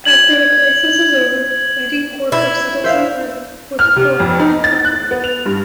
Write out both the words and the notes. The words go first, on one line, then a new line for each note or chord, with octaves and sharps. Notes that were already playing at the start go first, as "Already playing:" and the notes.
After the Crisis is over, Lady Quark resettles on Earth with Pariah and Harbinger.
G#6 F#7
E4 E6 G#6
C5 E5 F5
F6
C3
F2
D#4
A6
F#6
B3
F7
G2